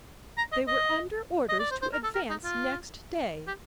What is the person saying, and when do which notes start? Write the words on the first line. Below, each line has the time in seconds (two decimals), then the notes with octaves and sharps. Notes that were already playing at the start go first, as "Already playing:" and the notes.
They were under orders to advance next day.
0.38 A#5
0.53 D#5
0.68 D#5
1.49 D#5
1.60 D5
1.71 C5
1.82 C5
1.93 A#4
2.04 A4
2.15 A#4
2.30 D#4
2.45 F4
3.48 G4